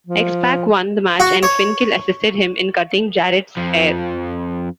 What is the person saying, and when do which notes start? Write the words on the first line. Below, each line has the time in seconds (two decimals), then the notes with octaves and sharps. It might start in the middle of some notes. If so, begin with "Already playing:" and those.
X-Pac won the match and Finkel assisted him in cutting Jarrett's hair.
0.07 F3
1.20 F#4
1.43 C#5
3.57 F2 F3